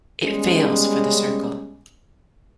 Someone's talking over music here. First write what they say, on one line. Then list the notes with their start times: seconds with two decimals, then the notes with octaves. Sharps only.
It fails for the circle.
0.23 G3 G#3 B3 C#4